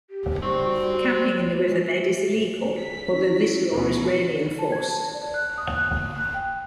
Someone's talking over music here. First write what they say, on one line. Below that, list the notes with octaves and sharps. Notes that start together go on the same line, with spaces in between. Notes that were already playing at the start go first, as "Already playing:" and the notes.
Camping in the riverbed is illegal, although this law is rarely enforced.
G4
G3 C4 C#6
F#4
G#3
B6
C#4 E4
D2 B2 C#4
A5
G#6
A5
D5
F#6
D#6
F#6
F#6
G5